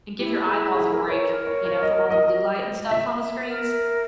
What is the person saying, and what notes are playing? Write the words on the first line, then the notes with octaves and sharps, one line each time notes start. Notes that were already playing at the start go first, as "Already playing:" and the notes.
and give your eyeballs a break, you know, from all the blue light and stuff on the screens.
E4 G4
G#4
G#4
A#4
C#5
A#4
C#5
C#5
D#5
D#5
E5
A#4